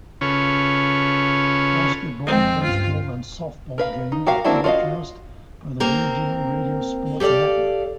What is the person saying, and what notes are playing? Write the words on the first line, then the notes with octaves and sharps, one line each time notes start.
Basketball, baseball, and softball games are broadcast by the Regional Radio Sports Network.
C#3 C#4 F4 A4 B4 C#5
F2 G#3 C4
C#2 G2 F4
A#4 B4 F5
D#4
F#4 G4 A#4 F5
A#3 C4 D4 E4 F#4
F4 F#4 D5 D#5 F5
A#3 C4 A#4
G4 A4 C5 D5 F5